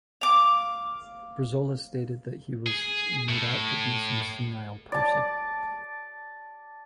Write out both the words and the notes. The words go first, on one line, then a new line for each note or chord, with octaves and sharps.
Brizola stated that he was "made out to be some senile person".
F5 D6
G#4
A2
D5 A5